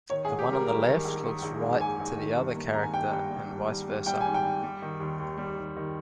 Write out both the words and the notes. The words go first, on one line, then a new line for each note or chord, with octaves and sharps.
The one on the left looks right to the other character and vice versa.
D#3 C#5
G#4
G#2
G4
G3 A#4
G3 A#4
D#3
A#1
D#3
A#1
G#2
A#1 G#5
A#1
D#3
G2
A#3
G#1 A#5
G#5
G2 G5
G2
G3
G2
G3
G3
G3 G5
G#1 G#5
G5
G2
G3
D#3
D#2
D#2
G3
D#2
D#3